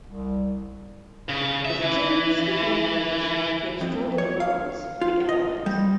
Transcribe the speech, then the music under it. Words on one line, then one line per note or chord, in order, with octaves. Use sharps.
With Germany's weakening position came stronger demands from the Allies.
C2
C#3
E5
E3
F2
C#5
F5
F4
D#5
G3